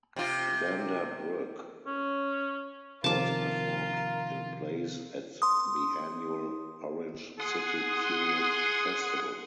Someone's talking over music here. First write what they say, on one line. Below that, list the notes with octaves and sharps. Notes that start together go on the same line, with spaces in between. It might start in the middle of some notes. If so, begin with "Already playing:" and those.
Vander Broek also performed in plays at the annual Orange City Tulip Festival.
C3 F4
C#4
C3 D#3 F3 F4 A#4 A5 D6
C6 D#6
G#4 F#5 C6 D#6